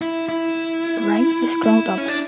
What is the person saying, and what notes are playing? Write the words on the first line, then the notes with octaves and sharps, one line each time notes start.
Break this crowd up!
E4
E4
E4
C#4
D4